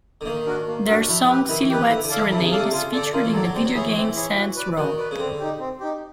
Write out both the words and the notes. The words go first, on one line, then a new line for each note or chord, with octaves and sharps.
Their song "Silhouette Serenade" is featured in the video game "Saints Row".
D3
D#3 A#3
D4 F#4 A#4
A#3
D4 F#4 A#4
F3 E4
G4 B4
D#3 E4
E3
D#3 G4 B4
D3 E4
D3
A4 D5 F5 A5
E3
D3 E4
C3
C#3
A4 D5 F5 A5
C3
C#3 F4
D3 A4 D5
D#3 F4
E3
F#3 A4 D5
F#3
G3 C4
F#3
F3 E4 G#4 C#5
E3
E3 C4
E4 G#4 C#5
F#4
B4 D5
D#3 F#4
B4 D5
C#3
D3 C4
D#4 G4
C4
D#4 G4